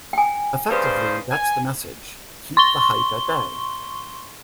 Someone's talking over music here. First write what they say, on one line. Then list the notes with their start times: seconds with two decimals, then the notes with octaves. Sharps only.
Effectively, that's the message: Keep the hype at bay.
0.13 G5 G#5
0.71 G2 C#3 B4 C5
1.31 G#5
2.57 C6 C#6 G7